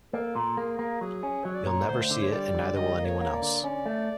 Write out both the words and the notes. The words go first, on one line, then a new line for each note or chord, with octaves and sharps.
You'll never see it and neither will anyone else.
A#3 A4
A#2
A#3 G#4
A#3
F#3 G#4
C#4
F#3 C#5
D5
A#2 C#5
D2 C5
D3
C#5
G3 D5
D3
G3 D#5
A#3
C#5
A#3
D5
D3
C#4
A3